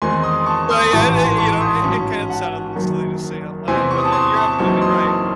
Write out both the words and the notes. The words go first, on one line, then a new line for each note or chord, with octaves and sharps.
But, yeah, i you know, it it can sound a little silly to say out loud, but, eh, you're absolutely right.
E2 D#3 G#3 C4 D#4 G#5 C6
C6 D#6
A5 C#6
C6 D#6
C6
A1 G#2 E3 A5 C#6
G#5 C6
A5 C#6
C6 D#6
G#2 F#3 C#4 A5 C#6
F#5 A5
F#1 F#2 D#3
E2 C3 E3 C4 G#5 C6
C#6
D#6
A5 C#6
C6 D#6
A5 C#6
F#1 F#2 E3 C4 D#4 A5 C#6
C6 D#6
A5 C#6